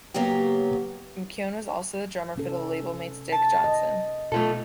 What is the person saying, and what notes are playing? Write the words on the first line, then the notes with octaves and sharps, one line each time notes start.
McKeown was also the drummer for labelmates Dick Johnson.
C#3 F#3 A#3 B3 G4
C3 C#4 A4
A5
D#5
B2 A3 F4 A4